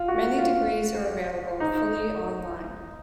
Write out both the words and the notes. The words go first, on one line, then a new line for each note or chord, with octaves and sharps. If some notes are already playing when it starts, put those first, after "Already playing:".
Many degrees are available fully online.
Already playing: F4
F#4
F4
D#4